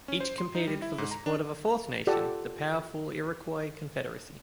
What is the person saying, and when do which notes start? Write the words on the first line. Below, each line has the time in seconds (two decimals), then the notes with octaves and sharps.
Each competed for the support of a fourth nation; the powerful Iroquois Confederacy.
0.08 C#4
0.20 C5
0.38 C6
0.55 D#4
0.67 G3
0.82 E4
0.98 G#2
1.11 A#5
1.26 D4
2.07 F4 G4 A4 D5 F#5